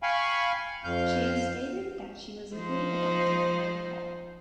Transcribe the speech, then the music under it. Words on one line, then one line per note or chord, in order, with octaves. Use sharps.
She has stated that she was legally adopted by Paul.
F5 G5 G#5 B5 C#6
F2 F5 G6
F3 D#4 C5